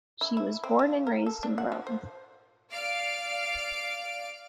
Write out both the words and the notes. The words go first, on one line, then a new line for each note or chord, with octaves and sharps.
She was born and raised in Rome.
E4
E4
C4
C#3
A#4
A4
D4
F#5
F3
C5
D5 F5 F6 D7